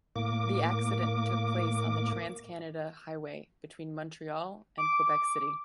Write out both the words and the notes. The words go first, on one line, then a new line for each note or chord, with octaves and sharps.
The accident took place on the Trans-Canada Highway between Montreal and Quebec City.
A2 A#3 D6
D6